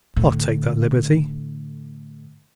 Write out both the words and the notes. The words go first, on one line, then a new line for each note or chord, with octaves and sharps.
"I'll take that liberty."
A2 D3